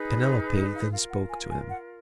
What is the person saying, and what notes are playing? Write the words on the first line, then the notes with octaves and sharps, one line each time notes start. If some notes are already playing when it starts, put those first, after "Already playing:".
Penelope then spoke to him.
Already playing: D#4 G#4 B4
B5
A#5
D5
F5
F4 A#4 F5
F#5
G#5
G#5
F#5